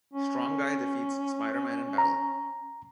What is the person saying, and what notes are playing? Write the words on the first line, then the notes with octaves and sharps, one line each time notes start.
Strong Guy defeats Spider-Man in battle.
C#4
A#5